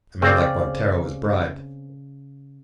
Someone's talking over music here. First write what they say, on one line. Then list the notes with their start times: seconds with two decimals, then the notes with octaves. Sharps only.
A man like Montero is bribed.
0.22 C#3 C4 D5